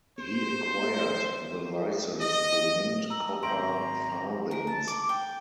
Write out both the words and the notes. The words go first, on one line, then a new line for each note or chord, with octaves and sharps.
He acquired the licence to mint copper farthings.
C5
D#5
A#5 E6 F#7
G#1 E5 A#5 C6 G6 D7 F#7
A#4
A5
D6
G5